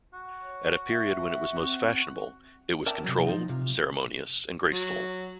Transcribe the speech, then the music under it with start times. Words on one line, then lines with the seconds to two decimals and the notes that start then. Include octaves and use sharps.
At the period when it was most fashionable it was controlled, ceremonious and graceful.
0.13 F#4
0.41 C#5
0.90 E5
1.62 C4
2.86 A#4 D5 E5 G5 A5 A#5
3.04 C3 F#3
3.27 F3 D#4
3.49 C3 F4
4.72 F#3